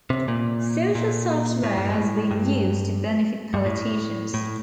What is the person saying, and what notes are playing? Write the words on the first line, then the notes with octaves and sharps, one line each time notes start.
Social software has been used to benefit politicians.
C3
A#2
A#2
A2
G2
A2
G2
G2
A2
A2